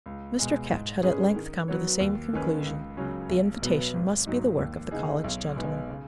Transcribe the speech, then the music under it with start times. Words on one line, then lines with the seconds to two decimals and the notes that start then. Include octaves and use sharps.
Mr. Ketch had at length come to the same conclusion: the invitation must be the work of the college gentlemen.
0.06 C#2
0.39 B2 G#3
0.71 G#2
1.03 G#3 C#4 G#4 B4
1.36 D#3
1.68 F#3 B3 F#4 C#5
2.00 D#2
2.33 D#3 G#3 C#4 B4
2.65 C#2
2.97 C#3 F#3 C#4
3.30 B1
3.62 B2 F#3 B3
3.95 G#1
4.26 G#2 F#3 D#4
4.59 D#2
4.91 C#3 B3 D#4 G#4
5.24 B1
5.56 B2 G#3 B3 D#4
5.89 C#3